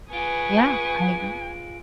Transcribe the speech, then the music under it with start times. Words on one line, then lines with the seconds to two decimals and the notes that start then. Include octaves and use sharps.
Yeah. I agree.
0.13 F4 G#4 B4 G#5 C#6 D#6 D7